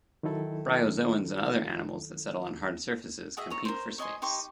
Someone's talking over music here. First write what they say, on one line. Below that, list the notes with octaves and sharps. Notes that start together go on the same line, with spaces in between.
Bryozoans and other animals that settle on hard surfaces compete for space.
D#3 F#3 D#4 E4 A4
F#4 G#4 D#5 E5
C#5 A#5
A#4 C5
C#5 D#5 G#5 C6
D#4 G4 C6 C#6